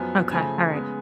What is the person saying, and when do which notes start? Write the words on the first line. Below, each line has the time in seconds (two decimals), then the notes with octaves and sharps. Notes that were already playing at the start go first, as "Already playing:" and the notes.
Okay, alright.
Already playing: F#2 F3 B3 G#5
0.31 C#3 F3 A3 G#5
0.73 C#3 G#3 B3